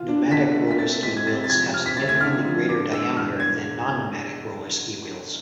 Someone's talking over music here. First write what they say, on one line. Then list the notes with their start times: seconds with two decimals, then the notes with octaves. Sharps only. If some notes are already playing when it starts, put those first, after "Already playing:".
Pneumatic roller ski wheels have significantly greater diameter than non-pneumatic rollerski wheels.
Already playing: E3 F4
0.08 D4
0.31 B2 B6
0.55 A3
0.71 B6
0.79 C4 A6
1.03 G#3 B6
1.17 G#6
1.26 C3 A6
1.44 A6
1.50 F3 G#6
1.73 C4 F6
1.86 B6
1.97 A3 A6
2.09 G#6
2.21 D3 F6
2.45 F3
2.69 D4 D6
2.93 G#3 E6
3.16 E2 F6
3.40 B2 G#6